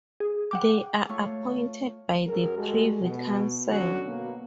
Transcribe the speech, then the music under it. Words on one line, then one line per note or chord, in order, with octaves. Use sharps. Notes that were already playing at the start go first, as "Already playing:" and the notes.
They are appointed by the Privy Council.
G#4
F#5 G5 D6
A3 F4 C#5 C#6
F#2 F#3 G#4 A#4
G3 G#3 F#4 A4
B2
B2 D3 F#3 C#4 F#4
B2 A#3